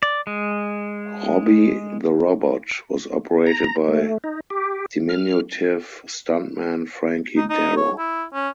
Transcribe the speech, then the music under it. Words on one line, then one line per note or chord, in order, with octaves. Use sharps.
Robby the Robot was operated by diminutive stuntman Frankie Darro.
D5
G#3
A#5
A3
D#4
G4
F6
D#4
D#4
C#5
E4
C#4